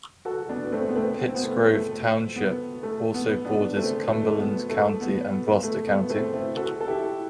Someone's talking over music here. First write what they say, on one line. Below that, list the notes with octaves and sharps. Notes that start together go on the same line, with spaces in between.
Pittsgrove Township also borders Cumberland County and Gloucester County.
F#4 A4
B3 D4
B3
A3 C4
B3
A3 C4
B3
C4
B3
A3
A3
B3
A3
B3
B3 D4
A3 C4
A3
A3
B3
A3
B3
B3
A3
B3
A3 C4
C4 E4
F#4 A4
A4
E4 G4